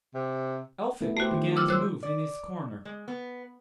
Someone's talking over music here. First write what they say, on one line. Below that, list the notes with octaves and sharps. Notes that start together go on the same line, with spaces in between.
Elphick began to move in his corner.
C3
A3 B3 E4
A3 F#4 G4 C5
D#3 F3
D6 E6 F6
F#3 C5 E6 F#6
D5
G#3
B3